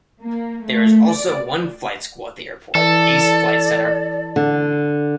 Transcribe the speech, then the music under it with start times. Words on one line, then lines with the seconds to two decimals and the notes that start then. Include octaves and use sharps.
There is also one flight school at the airport, Ace Flight Center.
0.23 A#3
0.66 A3
1.09 D5
2.75 E3 A4 D5
4.36 D3